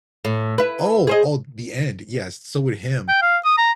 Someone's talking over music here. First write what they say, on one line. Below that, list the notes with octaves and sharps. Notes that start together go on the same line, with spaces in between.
Oh, oh, the end, yes. So with him,
A2
E4 B4
G#4 C5 D#5
G5
F5
D#6
A#5